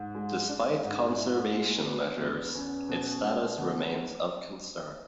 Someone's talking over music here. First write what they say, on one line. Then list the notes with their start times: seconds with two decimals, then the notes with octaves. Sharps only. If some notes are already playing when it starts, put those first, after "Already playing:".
Despite conservation measures, its status remains of concern.
Already playing: G#2
0.15 G#3
0.49 D4
0.84 G#2
1.18 E4
1.52 G#3
1.86 B3
2.21 E2
2.55 C#4
2.89 B2
3.23 G#3
3.58 D2